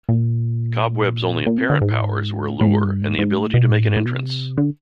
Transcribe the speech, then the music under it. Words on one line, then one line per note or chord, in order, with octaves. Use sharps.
Cobweb's only apparent powers were allure and the ability to make an entrance.
A#2
A#2
C3
D3
G#2
A2
G#2
A2
A2
G#2
G2
G#2
G#2
A2
B2
A2
G#2
A2
B2
C3
D3